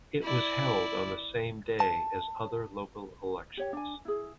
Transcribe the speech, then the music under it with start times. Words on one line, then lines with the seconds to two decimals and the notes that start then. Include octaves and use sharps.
It was held on the same day as other local elections.
0.23 E4 D5
1.80 A5
3.57 G4 C#5 G5
3.73 D4 G#5
4.05 E4 G#4